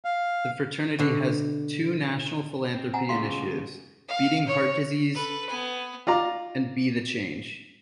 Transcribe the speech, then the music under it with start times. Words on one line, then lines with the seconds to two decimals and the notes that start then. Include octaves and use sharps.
The fraternity has two national philanthropy initiatives: Beating Heart Disease and Be the Change.
0.05 F5
0.99 B2 D3
2.74 C4
2.94 F#5 G#5 A#5
3.09 C#3 G#3 B3 F5 C6
4.08 F5
4.47 C#5
5.14 A4 B4
5.49 B3 G#5
6.07 F4 D5 A#5